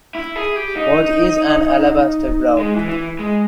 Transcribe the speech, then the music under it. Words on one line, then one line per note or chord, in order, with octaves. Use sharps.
What is an alabaster brow?
E4
G#4
G4
D#4
G#3
E3
E3
G#3